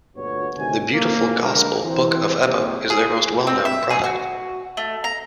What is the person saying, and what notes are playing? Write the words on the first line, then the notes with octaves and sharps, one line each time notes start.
The beautiful Gospel Book of Ebbo is their most well known product.
D2 G2 A#2 B3 F#4 C#5
D2 C3 D#3 F#3 G#5
C2 A2 D#3 A#3
D3 G3 G#3 D4 A#4
E3 C4
A#2 D#3 G3 G#3 C4 C#4
G#4
C4
E5
G#4
F#4
A3
A#5